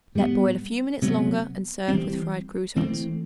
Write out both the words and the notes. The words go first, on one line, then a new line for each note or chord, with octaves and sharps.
Let boil a few minutes longer and serve with fried croutons.
A2 G3 B3
C3 F#3 B3
E3 G3 C4
E3 A3 C4